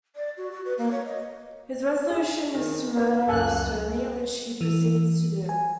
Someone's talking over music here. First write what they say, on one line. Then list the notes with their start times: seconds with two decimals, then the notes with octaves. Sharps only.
His resolution is to murder Sterni, which he proceeds to do.
0.16 D5
0.37 F#4
0.52 F#4
0.65 B4
0.78 A#3
0.91 C#5
1.05 D#5
2.10 G#4
2.55 D#3
2.97 B3
3.28 C#2 F#2 A4 G#5 F#6
4.61 E3
5.49 G#5